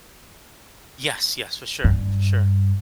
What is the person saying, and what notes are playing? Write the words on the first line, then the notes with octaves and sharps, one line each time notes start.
Yes, yes, for sure, for sure.
G2